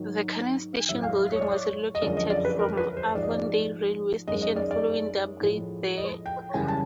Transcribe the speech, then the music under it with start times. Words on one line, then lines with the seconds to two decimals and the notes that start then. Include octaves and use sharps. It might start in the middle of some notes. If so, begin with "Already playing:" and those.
The current station building was relocated from Avondale Railway Station following the upgrade there.
Already playing: G#2 D#3 F#3
0.89 A2 F#3 E5
1.03 F5
1.17 E5
1.32 C#5
1.41 D5
1.51 C#5
1.95 D#5
2.02 F#2 D3 F3 G#3 D5
2.17 D#5
2.30 D5
2.45 B4
2.59 A#4
2.77 B4
2.97 C5
3.15 G#2 F3 G#3 D5
3.23 D#5
3.31 D5
4.28 F#2 D#3 G#3 D#5
4.42 D#5
4.56 D5
4.71 D5
5.41 A2 F3 G#3
5.97 D#5
6.26 G5
6.54 F#2 C#3 E3 G3 G#5
6.68 A5